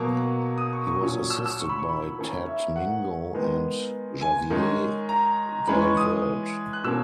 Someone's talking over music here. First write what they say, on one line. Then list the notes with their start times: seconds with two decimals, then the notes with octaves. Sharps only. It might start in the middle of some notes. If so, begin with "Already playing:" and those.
He was assisted by Tadd Mingo, and Javier Valeverde.
Already playing: B2 F#3 A#3 C#6
0.58 D#6
0.73 C#6
0.87 C#6
1.01 A#2 F#3 C#4
1.30 E6
1.46 E6
1.60 C#6
1.69 B5
1.79 C#6
1.89 B5
2.19 D#3 A#3 C#4
2.47 E5
2.76 F#5
3.34 D#3 G#3 B3
4.21 G#5
4.50 D#3 G#3 C#4
5.09 A#5
5.67 E3 G#3 C#4 B5
5.81 C#6
5.97 D#6
6.73 F#6
6.84 B2 A#3 C#4 E6